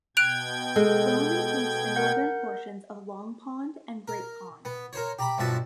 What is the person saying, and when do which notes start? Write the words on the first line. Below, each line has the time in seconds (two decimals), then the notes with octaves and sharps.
Rome includes the northern portions of Long Pond and Great Pond.
0.17 B2 G5 F#6 G#6 D7 F7
0.76 G#3 A4
1.96 A#4 F#5 G6
4.08 A#4
4.65 B3
4.93 A#4 C5 C#5
5.19 G4 A#5 B5
5.38 B1 G2 F3 F#4 E5 A5